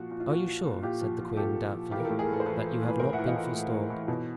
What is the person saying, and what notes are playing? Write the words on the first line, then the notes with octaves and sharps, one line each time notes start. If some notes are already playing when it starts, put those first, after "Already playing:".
"Are you sure," said the queen doubtfully, "that you have not been forestalled?"
Already playing: A#2 F3 F#4
A#2
F4
F3 F#4
F3
A#2
A#2 F4 G4
F3
F3
A#2 G4 A4
A#2
F3
E3 F4 G4
A#4
A2 G4 A4
G#4 A#4
A2 A4 B4
C5
E3 A4 B4
E3
A2
B4
A2 A#4 C5
E5 F#5
E3
D#5 F5
E3
A2
A2
E3
B2